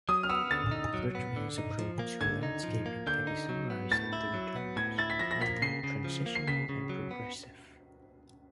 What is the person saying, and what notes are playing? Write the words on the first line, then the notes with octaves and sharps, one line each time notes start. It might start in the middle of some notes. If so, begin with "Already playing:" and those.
Bridgeman's approach to landscaping can be summarised in three terms: formal, transitional and progressive.
F#3 D#6
F6
B3 E6
D3 A6
D#4
F#3
B3
D3
D#4
F3
A#3
D3 G#6
D#4
F3
A#3
D3 G6
D#4
F#3
B3
A2 A6
E4
F#3
B3
A2 G#6
E4 A6
B6
F3 A#6
A#6
A#3 B6
C#3 C7
C#3
F3
A#3
C7
C#3 B6
C#3
F#3
B3